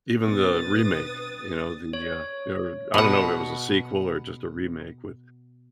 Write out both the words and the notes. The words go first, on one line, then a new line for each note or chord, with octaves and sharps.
even the remake, you know, the, uh, or I don't know if it was a sequel or just a remake with
B2 B3 C4 D4 B4 D#6 A6
C#5
B2 F#5